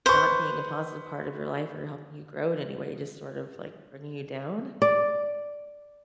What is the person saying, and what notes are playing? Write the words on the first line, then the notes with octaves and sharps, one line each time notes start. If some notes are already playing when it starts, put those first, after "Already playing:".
not being a positive part of your life or helping you grow in any way, just sort of, like, bringing you down.
B4 C5 C#6
D5